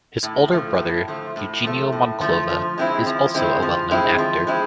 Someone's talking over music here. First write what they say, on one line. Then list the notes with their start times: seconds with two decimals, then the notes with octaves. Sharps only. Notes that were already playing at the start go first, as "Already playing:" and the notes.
His older brother, Eugenio Monclova, is also a well-known actor.
0.23 A2
0.52 F3 A3
0.80 A2
1.08 F3 A3
1.36 A2
1.64 F3 A3
1.92 A2
2.21 F3 A3
2.50 F3
2.78 G#3 C4 E4
3.06 F3
3.34 G#3 C4 E4
3.62 F3
3.91 G#3 C4 E4
4.18 F3
4.47 G#3 C4 E4